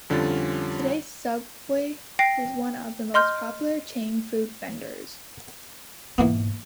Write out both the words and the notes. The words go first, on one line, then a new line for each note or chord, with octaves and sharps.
Today, Subway is one of the most popular chain food vendors.
F2 D3 G3 C#4 F4 A6
G5 A#6 C7
D#5 C6 F6 G6
E1 G#2 E3 A#3 B3